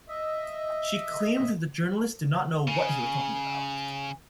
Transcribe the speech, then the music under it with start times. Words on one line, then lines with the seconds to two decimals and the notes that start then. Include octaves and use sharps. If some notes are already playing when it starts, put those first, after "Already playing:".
She claimed that the journalist did not know what he was talking about.
0.08 D#5 E5
2.68 C#3 G#5